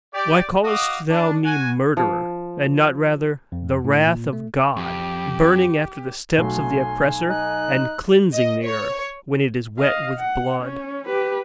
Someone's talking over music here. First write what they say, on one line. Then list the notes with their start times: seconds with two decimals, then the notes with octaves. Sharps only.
"Why callest thou me murderer, and not rather the wrath of God burning after the steps of the oppressor, and cleansing the earth when it is wet with blood?"
0.14 G4 D5
0.64 F#4 D#5 F5 D6 D#6
1.09 D4
1.44 F#4 F#5 G#5
1.97 F3
3.52 F2
3.85 A2
4.06 A#2
4.33 A3
4.77 F2 G4
6.38 B1 A3 F#4 G#5 C6
7.29 D#4 F#6
8.33 D#5
8.64 C#5
9.79 D#5 F5
10.19 F#5
10.62 C#4
11.06 G4 B4